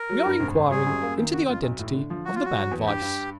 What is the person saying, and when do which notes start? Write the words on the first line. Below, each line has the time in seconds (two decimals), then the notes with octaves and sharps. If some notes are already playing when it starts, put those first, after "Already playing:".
We are inquiring into the identity of the man Weiss.
Already playing: A#4
0.09 F#3
0.25 G2
0.40 G#1
0.55 G#1
0.71 G3 G#4
0.86 F#2
1.02 A#3
1.18 D#3
1.32 C#3 F#4
1.48 F2 F4
1.63 B1
1.79 A2
1.94 D3
2.10 F3
2.25 F#3 F#4
2.35 F4
2.41 F#3 F#4
2.56 F#3
2.71 E2
2.86 G2 G4
3.02 G2